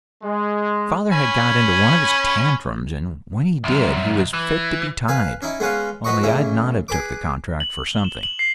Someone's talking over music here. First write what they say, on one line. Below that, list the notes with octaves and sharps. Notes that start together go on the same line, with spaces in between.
Father had got into one of his tantrums, and when he did he was fit to be tied; only I'd not have took the contract for something.
G#3
C#4 G#5 B5
C2 F#2
E3
B4 F5 G#5
C#4 D#4 E4
G#3 B3 C#4 B4 F5
F3 F#4 B4 D#5 C#6
A1 C#3 E4 D#5
G#4 B4 D6
F#7
G7
E7
F#7
C7